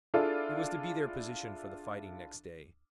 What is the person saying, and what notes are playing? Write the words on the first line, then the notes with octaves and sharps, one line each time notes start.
It was to be their position for the fighting next day.
D4 E4 F4 G#4 A4 D5